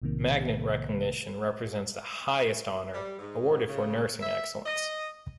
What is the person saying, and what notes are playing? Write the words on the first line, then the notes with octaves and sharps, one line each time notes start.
Magnet recognition represents the highest honor awarded for nursing excellence.
B1 A2 C3 D#3 A#3
G3
G#2
C#3
E5
D#5